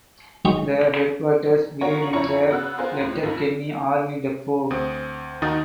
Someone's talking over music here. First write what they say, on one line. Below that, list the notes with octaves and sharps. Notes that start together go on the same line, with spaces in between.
The headwaters begin in the Letterkenny Army Depot.
G#2 F#3 D#4 G#4 G5 C#6
B3 F4 F#4 A#4 C#5
F2 E4 C#5 A#5 C#6 C#7
C#3 B3 F#4 E6 F#6
B3 F4 G#4 A#4 C5
C#2 A2
A#1 F2
D2 C4 D#6
D#2 D#3 D#4 F#4 D#6 A6